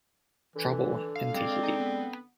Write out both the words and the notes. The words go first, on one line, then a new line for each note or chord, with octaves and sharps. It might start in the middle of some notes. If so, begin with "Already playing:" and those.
Trouble in Tahiti.
D3 E3
F5
G#3 C4 D5
D#4
B3